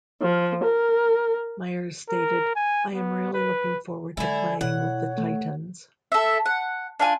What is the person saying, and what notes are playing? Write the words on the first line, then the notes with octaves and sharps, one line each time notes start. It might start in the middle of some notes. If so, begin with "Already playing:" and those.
Meyers stated, I am really looking forward to playing with the Titans.
F3
A#4
A#4
G#5
B3
B4
D3 F#3 G#3 E4 G#5
B2 E4 C#5 F#5
A3
A4 E5
F#5
D4 F4 G#5